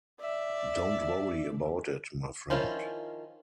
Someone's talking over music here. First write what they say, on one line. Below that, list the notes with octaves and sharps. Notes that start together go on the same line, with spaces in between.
Don't worry about it, my friend.
D5 E5
D#3 F3 C#4 E4 F4